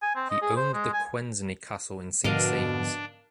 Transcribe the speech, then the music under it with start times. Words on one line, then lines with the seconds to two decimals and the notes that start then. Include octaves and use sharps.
He owned the Quesnay Castle in Saint-Saëns.
0.02 G#5
0.16 C4
0.30 D#5
0.42 G#4
0.56 C5
0.74 G#3
0.93 G#5
2.24 G#2 B2 D3 F3 D4 A#4 D#5 F5